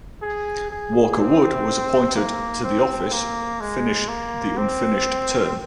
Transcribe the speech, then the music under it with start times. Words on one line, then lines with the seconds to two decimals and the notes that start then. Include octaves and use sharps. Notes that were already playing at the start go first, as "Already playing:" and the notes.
Walker Wood was appointed to the office finish the unfinished term.
0.22 G#4
0.71 G#4
1.19 C4
2.15 A#3
2.64 C4
3.12 A#3
3.61 G#3
4.08 A#3
4.58 C4